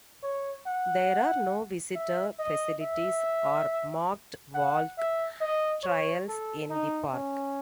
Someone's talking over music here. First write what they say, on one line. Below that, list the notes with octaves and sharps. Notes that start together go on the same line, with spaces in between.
There are no visitor facilities or marked walk trails in the park.
C#5
F#5
E5
D#5
E5
F#5
E5
D#5
C#5
A4
D#4
C#4